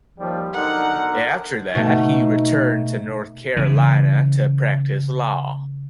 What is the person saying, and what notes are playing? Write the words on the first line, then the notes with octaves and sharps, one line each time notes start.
After that, he returned to North Carolina to practice law.
D#2 F3 G3
B1 D3 D#4 A#4 F#5
B2 A3 D#4
C#3 E3